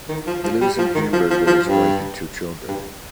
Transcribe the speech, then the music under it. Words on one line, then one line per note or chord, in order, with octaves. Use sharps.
He lives in Hamburg with his wife and two children.
D#3
F3
F3
G3
F3
D#3
F3
F3
F3
G2
G2